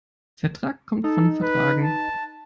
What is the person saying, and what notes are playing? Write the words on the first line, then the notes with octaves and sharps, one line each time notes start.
Vertrag kommt von vertragen.
D#4 A4
B4
A5